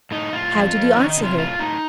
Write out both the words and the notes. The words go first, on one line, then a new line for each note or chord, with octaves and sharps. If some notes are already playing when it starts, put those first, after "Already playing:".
How did he answer her?
A2 D#4
A2 F4
F2
F2
D#3 C#4
D#4
C3
F4
A2 F4
A2 D#4